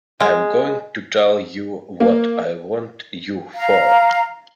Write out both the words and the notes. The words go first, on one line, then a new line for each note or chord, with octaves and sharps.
I'm going to tell you what I want you for.
G#3
A#3
F5 A#5